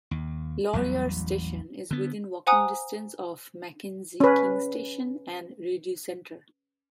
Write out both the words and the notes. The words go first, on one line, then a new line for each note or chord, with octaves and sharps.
Laurier Station is within walking distance of Mackenzie King Station and the Rideau Centre.
D#2
A1 E2 F#3 G3
D3 B3
C5 F#5 G#5 A#5 D#6 F#6
C#4 B4